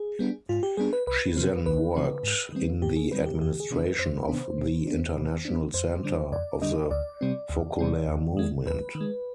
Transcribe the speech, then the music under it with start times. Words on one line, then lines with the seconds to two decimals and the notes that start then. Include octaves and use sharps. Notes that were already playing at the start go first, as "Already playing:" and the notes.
She then worked in the administration of the international center of the Focolare Movement.
Already playing: G#4
0.19 G3 B3 D4
0.49 G#2 F4
0.63 G4
0.77 G3 B3 D4 G#4
0.93 B4
1.07 C2 B4
1.36 C3 F3 C4
1.66 C2 B4
1.95 C3 F3 C4
2.23 G#2
2.53 D#3 G3 C4
2.82 G#2 G4
2.97 G#4
3.11 D#3 G3 C4 B4
3.26 G4
3.41 F2 G4
3.60 G#4
3.71 C3 D#3 B3 D4
3.79 B4
3.99 F2 C5
4.28 C3 D#3 B3 D4
4.58 B2
4.87 B3 D4
5.16 B2
5.45 B3 D4
5.74 F2 C5
6.03 D3 G3 D4
6.32 F2 D5
6.62 D3 G3 D4 D#5
6.91 D2 D5
7.21 C3 G3 C4
7.49 D2
7.79 C3 G3 C4
8.08 D#2
8.37 D#3 G#3
8.66 D#2 B4
8.95 D#3
9.01 G#3